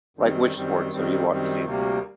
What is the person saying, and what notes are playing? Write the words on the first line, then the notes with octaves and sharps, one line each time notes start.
like, which sports have you watch seen?
F#2 D#3 G3 C4
F#2 D#3 G3 C4
F#2 D#3 G3 C4
F#2 D#3 G3 C4
D2 C3 G3 A#3